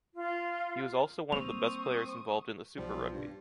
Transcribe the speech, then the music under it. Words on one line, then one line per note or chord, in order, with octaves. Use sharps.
He was also one of the best players involved in the Super Rugby.
F4
G3 A#3 C4 C#6 D#6 F7
B1 F3 G3
G2